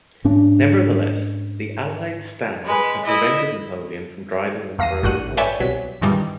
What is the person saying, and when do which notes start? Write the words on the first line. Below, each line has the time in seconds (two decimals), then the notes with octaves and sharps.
Nevertheless, the Allied stand had prevented Napoleon from driving them further north.
0.25 G#2 C#4 D4
2.64 G#3 B4
3.04 E4 D#5
4.79 E2 F5 A#6 C7 D#7
5.03 A1 G2 F#4 F#5 D#7
5.37 B4 C#5 D5 E5 G5 G#5
5.60 C2 B2 F#3 B6
6.02 G2 A#2 D#3 E3 G3 G#3